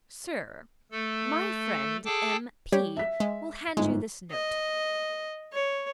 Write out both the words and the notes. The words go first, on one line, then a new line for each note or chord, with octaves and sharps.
Sir,--My friend, M. P.-, will hand you this note.
A3 A4
G#4 A4 G5 A5 D6
G3 G4 C#5
E5 B6
G#3
G1 G#2 G#3
D#5
C#5